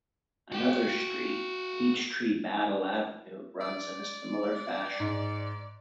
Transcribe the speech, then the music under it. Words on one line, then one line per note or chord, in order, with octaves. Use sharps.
Another street, Peachtree Battle Avenue, runs in a similar fashion.
F#4 G5
D5
G#2